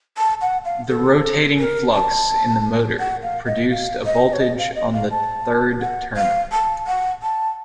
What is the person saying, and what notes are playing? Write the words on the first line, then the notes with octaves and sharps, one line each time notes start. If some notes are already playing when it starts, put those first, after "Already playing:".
The rotating flux in the motor produces a voltage on the third terminal.
A5
F#5
F5
A4
A#4
A5
F#5
F5
D#5
F5
D#5
C#5
D#5
F5
D#5
F5
A5
F#5
F5
A5
F#5
A5